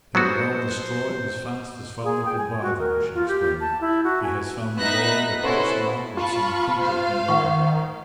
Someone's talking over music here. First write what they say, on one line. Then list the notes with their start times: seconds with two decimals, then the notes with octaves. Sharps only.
"They were all destroyed as fast as father could buy them," she explained. "He has found the boy a post now with some printer in America."
0.15 F#3 B3 F#4 C5
2.04 G#4
2.25 G5
2.38 G#5
2.62 F#4
2.79 A#4
3.15 F4
3.28 G4
3.61 A5
3.81 E4
4.04 F#4
4.23 G#5
4.77 B3 D#4 E5 F#6 A#6 B6
5.42 C#4 E4 F#4 A4 B4 C5
6.17 F4 A5 B5 C#6
6.82 C5 F5
7.28 D#3 F#5 C#6